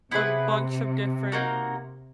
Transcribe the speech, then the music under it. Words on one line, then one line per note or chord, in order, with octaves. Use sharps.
a bunch of different
C3 B3 E4 G#4 B4
A#3 D#4 F#4 A#4